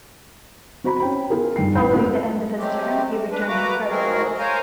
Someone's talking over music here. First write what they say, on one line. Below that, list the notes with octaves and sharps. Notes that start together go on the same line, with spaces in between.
Following the end of his term he returned to private life.
C4 F#4 C5 A#5 B5
C#4 G5 B5
B3 F4 G#4 A#4
G2 D#4 G5 C7
A1 E2 F5 B5 G6
A3 A#3 C4 C#4 F4 A4
F#3 G#3 A3 C4 G4
D4 B4
A3 A#3 F#4 B4 A#5 D6
F3 G#3 C4 F#4 G#4 A#4
A#4 C5 C#5 F5 G#5 A#5